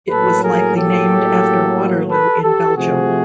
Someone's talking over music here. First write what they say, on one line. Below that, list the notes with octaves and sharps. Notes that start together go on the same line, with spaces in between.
It was likely named after Waterloo, in Belgium.
A2 F#3 A#3 A4 B4
G#4 A#4
G4 A4
A4 B4
G4 A4
C3 F3 A3 F#4 G#4